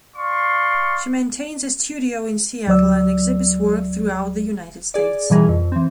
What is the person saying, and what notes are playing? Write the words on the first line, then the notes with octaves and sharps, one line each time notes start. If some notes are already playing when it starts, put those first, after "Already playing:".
She maintains a studio in Seattle and exhibits work throughout the United States.
D5 F5 C6 C#6
D2 F#3 D5 E6
G#4 D5
B2 D#3 E3 G3 G#4 A#4
F2
E3 C4